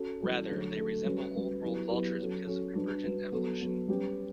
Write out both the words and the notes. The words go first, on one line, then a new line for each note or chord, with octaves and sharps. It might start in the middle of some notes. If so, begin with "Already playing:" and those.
Rather, they resemble Old World vultures because of convergent evolution.
Already playing: C#4 F#4 A4
E3 G3 C#4 F#4 A4
D3 F#3 A3
D3 F#3 A3
G3 C#4 F#4 B4
G3 C#4 F#4 B4
F#3 B3 E4 G4 B4
F#3 B3 E4 G4 B4
F#3 C#4 F#4 A4
F#3 C#4 F#4 A4
G3 D4 F#4 B4
G3 D4 F#4 B4
F#3 B3 F#4 A4
F#3 B3 F#4 A4
G3 C#4 G4 B4